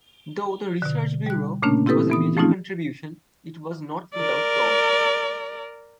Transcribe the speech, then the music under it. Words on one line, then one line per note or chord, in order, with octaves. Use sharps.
Though the research bureau was a major contribution, it was not without flaws.
B2 D3
G3 F#6
A#2 C#3 A3 A#3 C#4 D4
C4 E4 G4 A4 B4 D#6
E3 B3 D#6
F3 A3 C4 C#4 D#4 F4
A#4 D5